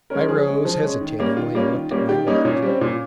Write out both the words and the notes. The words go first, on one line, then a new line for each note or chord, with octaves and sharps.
I rose hesitatingly and looked at my watch.
G#3 C#4 A#4
F3 G#4
G#3 C#4
F3
G#3 C#4
D#3
G3 A#3 C#4
D#3 F4
G3 A#3 C#4
D#3
G3 A#3 C#4
D#3 G4
G3 A#3 C#4 D#4
A#2 C#4
G3 C4
A#2